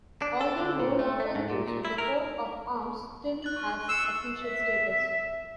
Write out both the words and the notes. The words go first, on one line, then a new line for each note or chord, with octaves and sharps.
Although no longer used, the coat of arms still has official status.
D4
A4
D3
A#2
A3
A3
G#2
A#2
A#2
E4
A#4
F#6 A6 F#7
C#6 F6
E6 C7 C#7
E5